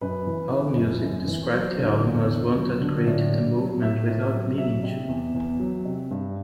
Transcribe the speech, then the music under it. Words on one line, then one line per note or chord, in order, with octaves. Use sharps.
Allmusic described the album as one that created a movement without meaning to.
F#2 B4
E3
E3
F#2
F#2
E3
F#3 C5
D3
E2
E2
F#3
D3
A2 D5
F#3
F#3
A2 E5
A2
F#3
F#3 E5
C3
E2
E2
F#3
C3
G2